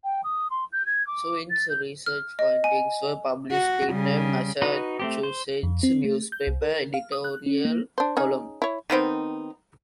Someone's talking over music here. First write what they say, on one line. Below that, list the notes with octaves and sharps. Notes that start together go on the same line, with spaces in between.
Swint's research findings were published in a Massachusetts newspaper editorial column.
G5
D#6
C6
G6
G#6
D6
A6
G6
F6
D#5
G#5
F#4
C#3 G3
D#4 F#4 B4
A3 C4 G4
C5
F2
C4
A3
G6
C2
A#4
F5
D#6
F#6
C#4
A#3
D4 C5
C#4 D#4 G#4
E4 C#5
D#3 B3 C4 D#4